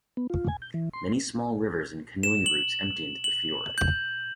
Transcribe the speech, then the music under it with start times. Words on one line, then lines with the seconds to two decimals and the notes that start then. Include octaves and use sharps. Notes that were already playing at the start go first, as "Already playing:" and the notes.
Many small rivers and canoeing routes empty into the fjord.
0.17 B3
0.30 F4
0.48 G#5
0.62 G6
0.74 E3
0.93 C6
2.23 E7
2.46 F#7
3.24 F#7
3.78 G6